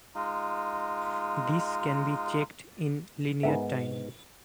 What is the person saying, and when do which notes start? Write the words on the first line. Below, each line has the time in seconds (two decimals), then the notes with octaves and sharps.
This can be checked in linear time.
0.15 G#3 D#4 F4
3.43 G#2 G#3 B3 D#4 A#4 E5